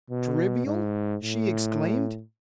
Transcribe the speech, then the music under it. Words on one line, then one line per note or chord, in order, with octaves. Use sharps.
"Trivial!" she exclaimed.
B2
G#2
A2